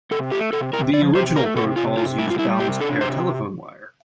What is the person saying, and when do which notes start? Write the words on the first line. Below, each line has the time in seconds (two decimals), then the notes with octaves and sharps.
The original protocols used balanced pair telephone wire.
0.11 C3 A4
0.31 A3 G4
0.53 C3 A4
0.73 C3 A#4
0.93 F3 D5
1.14 C3 C5
1.36 A3 A#4
1.55 C3 A4
1.76 C3 F4
1.97 C3 F4
2.18 G3 E4
2.30 F4
2.39 G3 E4
2.59 C3 G4
2.80 D4 A4
3.01 C3 C5